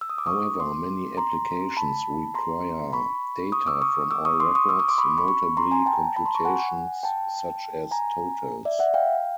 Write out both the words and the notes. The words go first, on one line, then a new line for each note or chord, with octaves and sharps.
However, many applications require data from all records, notably computations such as totals.
E6
D#6
D6
C#6 D#6
C6 D6
A#5 C6
A5 B5
A#5 C6
B5 C#6
C#6 D#6
D6 E6
C#6 D#6
D6 E6
C#6 D#6
C6 D6
C#6 D#6
D6 E6
C#6 D#6
C6 D6
B5 C#6
B5 C#6
B5 C#6
A#5 C6
G#5 A#5
G5 A5
A5 B5
A#5 C6
B5 C#6
F#5 G#5
G5 A5
G#5 A#5
D5 E5
E5 F#5
F5 G5